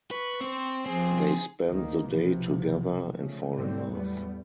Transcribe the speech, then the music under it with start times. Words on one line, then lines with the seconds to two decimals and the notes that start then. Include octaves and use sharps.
They spend the day together and fall in love.
0.11 B4 C#6
0.41 C4 C5
0.86 F3 C4 G#4
1.68 D2 D#3 A#3
2.08 B1 C3 F3 B3
3.15 C#3 F3 A3
3.52 G#2 D3 F#3 G3 A3 C4
3.92 E2 A2 G3 A3 B3